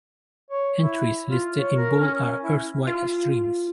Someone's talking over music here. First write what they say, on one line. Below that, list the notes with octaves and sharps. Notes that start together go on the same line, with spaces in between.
Entries listed in bold are Earth-wide extremes.
C#5
E4
F4
C#5
A#4
C#4
E4
F4